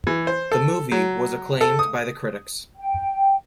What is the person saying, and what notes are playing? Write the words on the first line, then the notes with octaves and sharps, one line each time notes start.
The movie was acclaimed by the critics.
E3
C5
A4
F#3
A4
D#6
G5